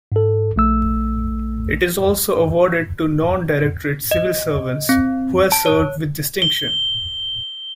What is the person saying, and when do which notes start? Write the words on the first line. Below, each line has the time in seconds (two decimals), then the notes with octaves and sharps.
It is also awarded to non-directorate civil servants who have served with distinction.
0.12 G#2 A4
0.56 A#1 A3 E6
4.11 D#5
4.89 C4
5.52 A5
5.66 C#5
6.42 G7